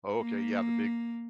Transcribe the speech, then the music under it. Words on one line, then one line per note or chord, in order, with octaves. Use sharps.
Oh, okay, yeah, the big
A#3